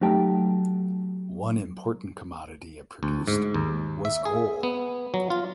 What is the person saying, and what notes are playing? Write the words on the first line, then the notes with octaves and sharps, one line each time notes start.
One important commodity it produced was coal.
F#3 A3 D#4 G4 G5 A5
D2
G#2
D#2
E5
G#4
B3
F#3
F4